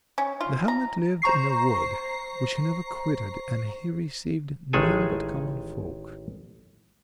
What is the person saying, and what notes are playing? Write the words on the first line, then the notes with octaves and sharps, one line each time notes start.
The hermit lived in a wood which he never quitted, and he received none but common folk.
C#4
F4
A#5
C5 A#5 C#6 C7
A1 D#3 G#3 G#4 A4 G#5